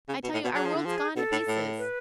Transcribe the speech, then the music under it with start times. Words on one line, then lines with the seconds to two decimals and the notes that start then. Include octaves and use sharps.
I tell you--our world's gone to pieces.
0.08 C#3
0.23 B2
0.34 A2
0.44 B2
0.54 F#3 G#4
0.65 F3
0.75 D3
0.85 F3 G#4
1.16 B2 A4
1.32 A2
1.48 A2
1.78 B4